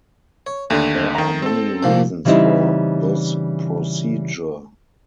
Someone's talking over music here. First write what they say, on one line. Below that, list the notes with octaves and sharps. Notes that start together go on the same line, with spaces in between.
There are many reasons for this procedure.
C#5
D#2 D3 A3 D4
D#3 A#5
C4 A4
C2 A#2 F3
C#3 E3 G3 C4 D#4 E4